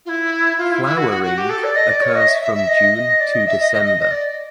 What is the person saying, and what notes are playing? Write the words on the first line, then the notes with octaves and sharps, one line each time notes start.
Flowering occurs from June to December.
F4
E4
F4
E4
E4
F#4
F#4
F#4
G4
A4
D5
D#5
D5
C#5
D#5
E5
E5
E5
D#5
D#5
D5
D#5
E5
D#5
D#5
D#5
D#5
D5